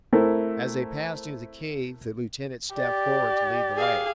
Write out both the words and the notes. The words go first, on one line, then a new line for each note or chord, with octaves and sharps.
As they passed into the cave the lieutenant stepped forward to lead the way.
A3 C4 E4 A#4
G4 D5
G#4 F5